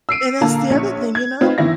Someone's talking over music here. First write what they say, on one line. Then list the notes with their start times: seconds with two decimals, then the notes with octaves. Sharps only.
And that's the other thing, you know?
0.09 E6 C7 D7 D#7
0.41 A#2 D3 A#3 F5 A5 A#5
0.70 A#1 C#4 C#5 C#7
1.15 G#6
1.41 C4 D#4 F4 B4
1.58 G1 D#3 E3 E4 A#6